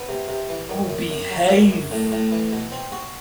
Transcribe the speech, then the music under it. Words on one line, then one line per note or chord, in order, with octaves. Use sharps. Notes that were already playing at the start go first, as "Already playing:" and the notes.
Oh, behave!.
Already playing: B3
C3
C3
E3
F#2
F#2
F#2
F#3
F#2
F#2
A2
A2
E3
B2
C4
F#4